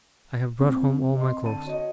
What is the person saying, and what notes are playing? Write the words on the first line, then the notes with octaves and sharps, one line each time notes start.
I have brought home all my clothes.'
F2 C4
D#5 C6
D3 A5 D#7
F#4 C#5 D#5